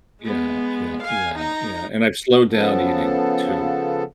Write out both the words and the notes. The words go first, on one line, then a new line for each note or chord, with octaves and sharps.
Yeah, yeah, yeah, yeah, and I've slowed down eating too,
G#3 B3
F5 G#5
D#4 A#5
C#3 F3 B3 A4